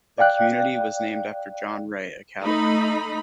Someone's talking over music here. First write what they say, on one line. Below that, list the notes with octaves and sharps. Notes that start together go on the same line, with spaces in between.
The community was named after John Wray, a cattleman.
D5 F5 G5 F#6
A3 D#4 B5